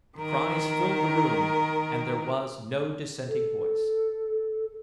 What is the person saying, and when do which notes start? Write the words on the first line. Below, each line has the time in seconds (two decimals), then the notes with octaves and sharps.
The cries filled the room and there was no dissenting voice.
0.17 D#3 A#4
3.29 A4